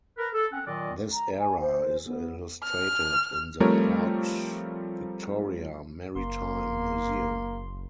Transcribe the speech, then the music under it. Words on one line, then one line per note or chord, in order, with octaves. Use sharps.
This era is illustrated in the Port Victoria Maritime Museum.
A#4 B4
A4
C4 C#4 F#5
A#2 D#3 F#3 F4 D5 D#5
A#5
G#5
C5
B3
F6
F3 G3 A3 C4 A#4 C#5
F#1 A#3 C6